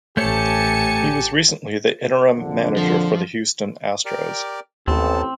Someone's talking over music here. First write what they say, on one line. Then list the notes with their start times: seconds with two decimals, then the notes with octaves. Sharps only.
He was recently the interim manager for the Houston Astros.
0.17 A1 A3 G4 C5 C#5 G#5 A5 C#7
2.38 A#1 F2 D3
2.77 F3
4.05 G4 A#4 D5
4.88 A1 D#2 B3 C4 A5